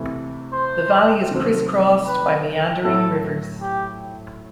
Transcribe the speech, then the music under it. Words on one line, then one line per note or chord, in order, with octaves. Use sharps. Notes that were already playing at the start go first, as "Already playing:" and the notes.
The valley is criss-crossed by meandering rivers.
Already playing: C3 E3 A3 E4
C5
C3 D#3 F#3 A3 C4
B4
A2 F#3 A3 E4 A4
G4